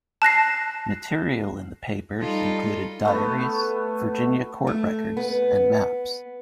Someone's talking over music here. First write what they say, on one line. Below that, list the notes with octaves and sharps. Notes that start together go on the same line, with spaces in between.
Material in the papers included diaries, Virginia court records, and maps.
A5 F#6 A#6 C7
G3 D#4 F4 A4
A3 B3
A3
B3